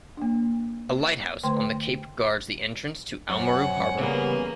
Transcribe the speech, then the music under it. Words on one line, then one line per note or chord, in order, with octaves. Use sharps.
A lighthouse on the cape guards the entrance to Oamaru Harbour.
A#3 D4
D3 A3 B4 C5 G5 C6
F#2 C4 C#5 F#5 G#5
C#3 E3 G3 A#3 B3 G#4